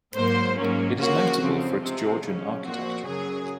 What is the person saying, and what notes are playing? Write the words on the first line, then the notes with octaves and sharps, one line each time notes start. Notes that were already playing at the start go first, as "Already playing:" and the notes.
It is notable for its Georgian architecture.
G#2 F#3 A#3 C5
G#2 F#3 A#3 C#4
C#3 F3 A#3 C#4 F#4
F2 C#3 F3 C4
C3 F3 G#3 C4
C#3 F#3 C#4
A#2 F3 C4 F#4
F#2 C#3 F#3 G#4